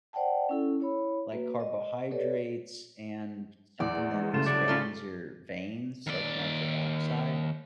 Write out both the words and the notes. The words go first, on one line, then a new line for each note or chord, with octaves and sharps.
like, carbohydrates and something that expands your veins, like, nitric oxide,
C5 D5 F#5 G5 A5
C#4 E4 A4
E4 C#5 B5
A#3 F#4 B4
D#5
G4 A4 B4 C#5 D5
E2 D5
G#3
C2 C#3 A3 F4 E7
F#3 D5
C#4 F4 A4
D#2 D5